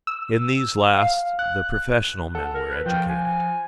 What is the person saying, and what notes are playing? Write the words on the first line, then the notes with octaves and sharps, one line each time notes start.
In these last the professional men were educated.
E6
F5
F#6
F#6
A4 F#5
A#4
B4
F3 G5
G#5